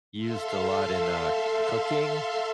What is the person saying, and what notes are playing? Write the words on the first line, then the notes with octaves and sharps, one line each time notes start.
used a lot in, uh, cooking,
A4 E5 F5 C6